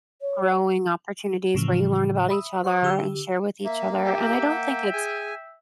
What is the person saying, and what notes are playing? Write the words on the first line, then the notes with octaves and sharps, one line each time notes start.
growing opportunities where you learn about each other, and share with each other, and I don't think it's
C#5
A2 C#3 E3 F3
E5 B5 D#6 E6
C5 F#5 C#6 D#6
D3 G4 E6
A#3 E5
G4 E5 G5
F#5
G#4 G#5